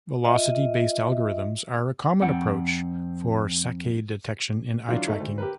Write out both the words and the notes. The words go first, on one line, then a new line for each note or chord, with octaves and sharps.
Velocity-based algorithms are a common approach for saccade detection in eye tracking.
F4 D#5 E5
F2 C4 F#5
E3 F#3 D4 F4
A3 D#4
D2
G4 A#4 B4